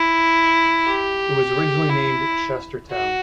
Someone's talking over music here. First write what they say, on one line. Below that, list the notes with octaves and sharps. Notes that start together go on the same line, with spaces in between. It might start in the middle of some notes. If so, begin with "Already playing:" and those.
It was originally named Chestertown.
Already playing: E4
G4
E4
F#4